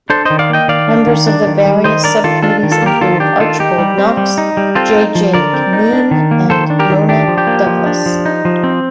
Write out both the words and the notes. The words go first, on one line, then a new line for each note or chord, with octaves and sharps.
Members of the various sub-committees included Archibald Knox, J J Kneen and Mona Douglas.
D4 A4 C5
D#3 C5 D#5
D5 F5
A#3 D#5 G5
D#3 D5 F5
D4
D#3
D4
D#3
G3
D#3 C5 D#5
D4 A#4 D5
D#3 F4 A4
D4 F4 A4
D#3
F4 A4
A#3 G4 A#4
D#3 F4 A4
D4 G4
D#3 F4 A4
D#4 G4
G3
C4
G3
D#4
G3
C4 F4 A4
D#4
F3
D3 A#4 D5
C4
D#4
D4
D#3
A#3
D#3 A4 C5
D4
G4 A#4
D#3
D4 G4
F3
G4
A#3
F3
D4
F3
D#4
F3
C4